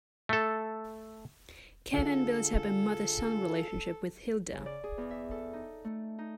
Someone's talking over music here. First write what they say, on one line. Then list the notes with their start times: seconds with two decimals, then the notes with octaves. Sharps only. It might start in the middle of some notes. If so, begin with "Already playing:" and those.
Kevin builds up a mother-son relationship with Hilda.
0.29 A3 A4
1.94 D3 F4 G#4 A4
4.53 C#3
4.66 D5
4.84 G#4
4.98 E2
5.11 E5
5.31 A4
5.53 D#4
5.84 A3
6.18 D#4